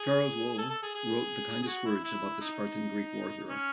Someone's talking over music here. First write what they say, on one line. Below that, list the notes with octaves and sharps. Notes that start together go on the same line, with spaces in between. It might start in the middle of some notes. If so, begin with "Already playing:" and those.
Charles Lowell wrote the kindest words about the Spartan Greek war hero.
Already playing: G#4
A4
A4
G#4
G#4
G#4
F#4
E4
E4
D#4
C#4